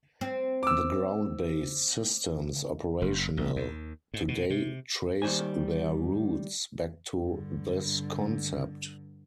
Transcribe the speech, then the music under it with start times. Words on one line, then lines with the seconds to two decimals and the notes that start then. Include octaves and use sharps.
The ground-based systems operational today trace their roots back to this concept.
0.21 C4
0.63 D6 E6
3.02 F#1
3.37 A#1
3.56 D#2
4.14 G#2
4.28 B2
4.50 C3
5.22 D#2 D#3 G3 C5 G#5
7.24 G2 D3